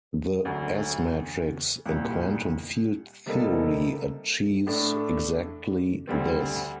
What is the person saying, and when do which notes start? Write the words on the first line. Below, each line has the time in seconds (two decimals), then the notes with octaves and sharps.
The S-matrix in quantum field theory achieves exactly this.
0.45 D2 D3 F#3
1.86 C2 A#2 G3
3.26 C3 G3 A#3 D#4 A4
4.67 A2 A3 D4 A4
6.07 D2 D3 G3 C4